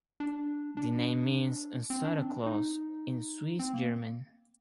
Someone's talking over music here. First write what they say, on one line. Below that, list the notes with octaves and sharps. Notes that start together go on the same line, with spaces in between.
The name means "Santa Claus" in Swiss German.
D4
D4
C4
D4
C4
D#4
C4
A#3